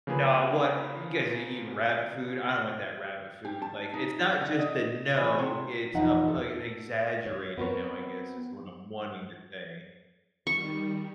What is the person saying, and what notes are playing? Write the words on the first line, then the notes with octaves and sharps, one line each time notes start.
"No, what? Y You guys are eating rabbit food? I don't want that rabbit food." Like, it's not just a "no." It's, uh, an exaggerated "no," I guess, is what I'm wanting to say.
C#3 F3 A#3 G#4 B4
G4
A5
D#4
D3
D#5
E3
C3
E2 B2 F3 D#4 F#5
A4
C#5
B3 C4 A#4 C#5
D#3 G3 C#6